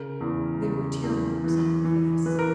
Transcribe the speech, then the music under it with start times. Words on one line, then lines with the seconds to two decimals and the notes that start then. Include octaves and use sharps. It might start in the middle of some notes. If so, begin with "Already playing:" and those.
There were tear-marks on her face.
Already playing: C#3 A#4
0.21 E2
0.63 C#3
1.04 E2
1.44 E3
1.84 E3
2.26 E3 B4
2.39 A#4